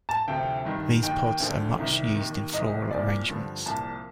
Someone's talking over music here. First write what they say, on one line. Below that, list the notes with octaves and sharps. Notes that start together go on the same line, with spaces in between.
These pods are much used in floral arrangements.
A5
D2 C3 F3 G5
G2 D#3
D#2 D#3 G5
D2 D3 F3
C2 C3 D#3
D#2 D#3
C2 C3 F3 D#5
C2 A#2 F3 D5
G2 D3 F3
C2 A#2 F3 A5